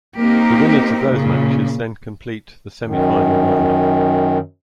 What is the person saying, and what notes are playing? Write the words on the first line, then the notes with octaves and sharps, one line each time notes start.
The winners of those matches then complete the semi-final line up.
A#3 C4 D#4 G4 A#4
A#2 C#3
F#2 D#3